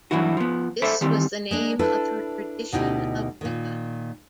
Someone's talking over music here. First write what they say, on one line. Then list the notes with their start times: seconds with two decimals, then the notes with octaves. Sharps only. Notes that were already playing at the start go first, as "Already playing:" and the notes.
This was the name of her tradition of Wicca.
0.11 G2 B2 E3 F#3 E4 F#4
0.37 F3 B3
0.82 A4 C5 D5 E5 B5
1.01 D#3 E3 G3 C4
1.51 G#3 A#3 D4
1.79 D4 E4 A4 B4
2.72 D2 B2 D#4 E4 G4
3.41 A#2 D#3